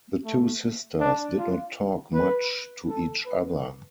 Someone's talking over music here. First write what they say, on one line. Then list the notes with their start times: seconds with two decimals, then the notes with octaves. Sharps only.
The two sisters did not talk much to each other.
0.26 A3
1.01 D4
1.39 F4
2.13 B4
2.89 A4
3.26 B4